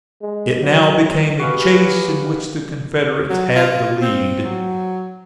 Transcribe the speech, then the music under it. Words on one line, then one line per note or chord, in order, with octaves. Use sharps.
It now became a chase in which the Confederates had the lead.
G#3
F#3
G3 F#4 G#4 B4 F5
F#3
F4
C4
F#3